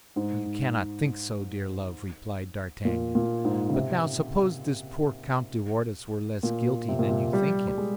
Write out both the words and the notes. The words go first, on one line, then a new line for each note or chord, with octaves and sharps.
"You cannot think so, dear love!" replied d'Artagnan; "but now, suppose this poor Comte de Wardes were less guilty than you think him?"
G#2
A#2
A#2
G#2
C#3
C3
A#2
C3
A#2
C3
G3
G3
G#3